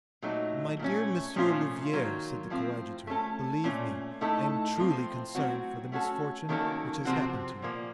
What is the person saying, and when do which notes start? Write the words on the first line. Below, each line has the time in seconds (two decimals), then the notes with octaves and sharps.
"My dear Monsieur Louvieres," said the coadjutor, "believe me, I am truly concerned for the misfortune which has happened to you."
0.22 A#2 F#3 A3 D#4
0.79 A#2 A3 C#4
1.36 A#2 F3 A3 C#4 F4
1.93 D#3 F#3 A#3 F4
2.50 A2 F3 C4 F4
3.07 A3 C#4 A4
3.64 A#2 A3 C#4
4.21 A2 A3 D#4 A4
4.77 A2 F3 C4 F4
5.35 A2 F#3 C4 F#4
5.92 A3 C#4 F#4 A4
6.49 D#3 F#3 A#3 C#4 A4
7.05 C3 F3 C4 F#4
7.62 A#2 F3 A#3